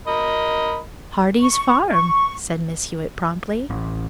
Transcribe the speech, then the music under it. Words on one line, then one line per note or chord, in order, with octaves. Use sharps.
"Heartsease Farm," said Mrs. Hewitt promptly.
A#4 D#5 B5
C#6
C#6
A1